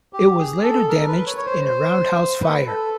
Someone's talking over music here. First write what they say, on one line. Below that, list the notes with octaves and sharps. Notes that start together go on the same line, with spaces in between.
It was later damaged in a roundhouse fire.
G4
G#4
A4
A#4
B4
C#5
C#5
C5
C5
B4
A4